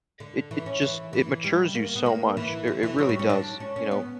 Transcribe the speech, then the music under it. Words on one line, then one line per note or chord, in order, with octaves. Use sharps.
it it just it matures you so much, it r it really does, you know,
D3
E3
C#4
E3
E3
G3
A#3
B3
A#3
E3
D3
E3
F#3
G3
C#4
D4
C#4
C#4
B3